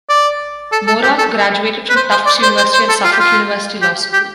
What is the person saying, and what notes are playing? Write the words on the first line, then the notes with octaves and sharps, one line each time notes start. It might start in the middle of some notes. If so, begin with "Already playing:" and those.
Moran graduated from Tufts University and Suffolk University Law School.
D5
A4
A4
G4
A4
B4
C5
C5
D5
C5
C5
C5
A4
F4
G4
F4
G4
G4